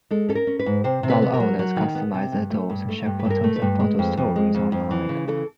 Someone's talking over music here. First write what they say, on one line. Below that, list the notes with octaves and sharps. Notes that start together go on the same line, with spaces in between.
Doll owners customize their dolls and share photos and photo stories online.
G#3 A4
C#4 A4
A#4
C#4
B4
G#2
C3 C5
C3
B4
B3
A#4
F#3
F#3
D#3
B3
C3
G2
A3
G2
A3
G2
B4
G2
A#4
A3
B4
G2
G#3
F2
F2
G#3
F2
F2
E3
C#3
E3 A4